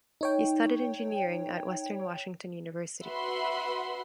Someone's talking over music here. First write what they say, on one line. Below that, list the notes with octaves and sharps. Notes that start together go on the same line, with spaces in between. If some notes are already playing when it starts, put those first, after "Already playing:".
He studied engineering at Western Washington University.
D#4 C#5 G5
F#4 B4 E5 F#5 B5 C6